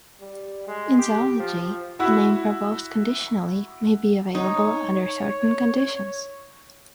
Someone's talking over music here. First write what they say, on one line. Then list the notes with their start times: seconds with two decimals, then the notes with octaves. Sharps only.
In zoology, a name proposed conditionally may be available under certain conditions.
0.20 G3
0.68 G#3
0.98 G4
1.39 F3
1.99 E4 F#4 E5
4.35 D#4 C#5